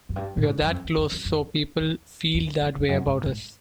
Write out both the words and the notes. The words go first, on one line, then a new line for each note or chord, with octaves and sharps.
We're that close so people feel that way about us.
F#2
G2
A2
G#2
F#2
F2
E2
F2
E2
F2
E2
E2
F2
F2
F#2
G#2
G#2